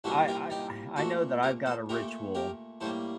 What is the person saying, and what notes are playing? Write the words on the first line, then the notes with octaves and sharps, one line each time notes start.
I I I know that I've got a ritual,
C2 A#2 G3 A#3 F#4 A4
G4 A#4
D#4 G4
A#2 A3 F#4 A4
G4 A#4
A4 C5
A#2 A3 G4 A#4
G4 A#4
A2 G3 A#3 A4 C5